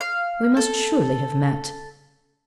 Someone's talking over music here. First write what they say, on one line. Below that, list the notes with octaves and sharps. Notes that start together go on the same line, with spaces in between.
'We must surely have met.
F5
A4